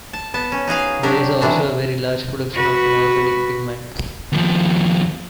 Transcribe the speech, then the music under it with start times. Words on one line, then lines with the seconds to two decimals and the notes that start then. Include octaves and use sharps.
There is also a very large production of inorganic pigments.
0.13 A5
0.34 B3 A5
0.52 C#4
0.67 D#4 F#4 G#4 F5
1.03 F#3 D4 G4 A#4
1.41 C3 D#3 E3 D4 F#4
2.54 F#4 B4
4.32 D#2 F3